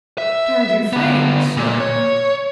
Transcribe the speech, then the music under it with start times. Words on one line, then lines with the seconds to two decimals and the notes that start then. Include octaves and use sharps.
'Turned you faint, sir!
0.18 E5
0.93 D3 B3
1.57 A#2
1.80 C#5